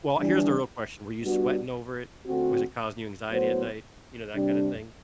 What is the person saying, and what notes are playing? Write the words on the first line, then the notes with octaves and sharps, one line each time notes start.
Well, here's the real question: were you sweating over it? Was it causing you anxiety at night, you know, that kind of thing?
E3 G3 D4
G3 B3 D4 F#4
D3 A3 C4 F#4
A2 F#3 B3 F#4 C5
C3 G3 D4